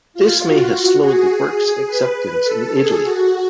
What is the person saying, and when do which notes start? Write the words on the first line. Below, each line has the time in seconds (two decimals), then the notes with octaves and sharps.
This may have slowed the work's acceptance in Italy.
0.14 F4
0.43 F#4
1.00 G#4
1.87 B4
2.44 A4
2.74 G#4
3.02 F#4